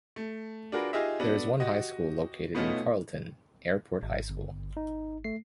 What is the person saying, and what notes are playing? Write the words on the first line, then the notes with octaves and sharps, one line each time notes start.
There is one high school located in Carleton, Airport High School.
A3
D4 F4 F#4 G#4 A#4 B4
D#4 F4 G4 G#4 D#5 E5
B3 D4 F#4 A4
F#4 G4 D#5
B2 A3 B3 C#4 D#4 F4
G#1
G1
D#4
A3 C7